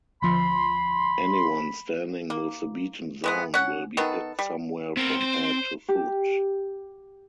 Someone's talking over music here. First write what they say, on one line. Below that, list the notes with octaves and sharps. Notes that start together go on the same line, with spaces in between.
Anyone standing within the beaten zone will be hit somewhere from head to foot.
D2 F3 B5 C6
A#3
E3 G#3 B3
C#4 F#5
D#3 B3 A4
G3
B3 C4 A#4
C5
G4